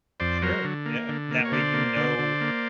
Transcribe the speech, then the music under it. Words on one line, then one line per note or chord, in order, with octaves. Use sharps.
Sure, yeah. And that way you know
F2 C5 D5
F#3 A#4 C5
D3
A#3
D3
A#3
C#5
D3 C5 D5
A#3
D3
D3
A#3